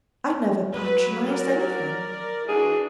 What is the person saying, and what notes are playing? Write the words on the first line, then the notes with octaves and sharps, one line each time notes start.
I never patronised anything.
F#3 B4
A#4 D5
E3 D4 F#4 G#4